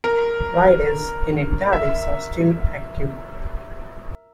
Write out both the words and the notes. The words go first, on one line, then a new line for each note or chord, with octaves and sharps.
Riders in italics are still active.
A#4
E5